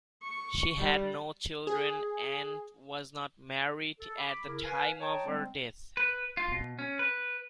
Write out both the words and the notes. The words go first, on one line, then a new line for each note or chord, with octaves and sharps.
She had no children and was not married at the time of her death.
C#6
G3
G#4
A4
B5 D6
C#3 E4 A#4
B4 F5 G#5
C#5 D#5 G5 A5 A#5
G3 G#3 C4
B4
F4
B2
C#4
B4